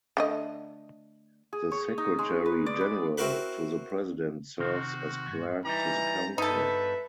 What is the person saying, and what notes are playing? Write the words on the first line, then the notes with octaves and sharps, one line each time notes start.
The Secretary-General to the President serves as clerk to the Council.
D3 A3 D#5
G#4
C#5
D#4
G#3
B4
D5
B5
C4 E4 F#4 A#4 B4 B5
C3 D#3 C4 F#4
D#2 G#2
E3 G3 D#4 G4 A#5
G2 G3 B3 D#4 A4 B4 E5